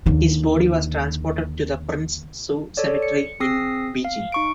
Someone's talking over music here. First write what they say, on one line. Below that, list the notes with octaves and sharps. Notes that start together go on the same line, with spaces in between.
His body was transported to the Prince Su Cemetery in Beijing.
D#2 D3
A4 C#5 D5
C#7
C4 G#4 D#6 E6 A#6 C7
F5
D#4 C#6 D7